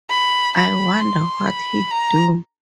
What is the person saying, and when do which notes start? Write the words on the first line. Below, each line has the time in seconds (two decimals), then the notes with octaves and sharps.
I wonder what he'd do?
0.10 B5
0.56 B5
1.01 C6
1.46 B5
1.91 A#5